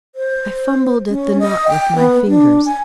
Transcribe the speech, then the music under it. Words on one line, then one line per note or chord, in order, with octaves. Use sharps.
I fumbled at the knot with my fingers.
C5
C#4
D#5
G5
B3
D4
G#5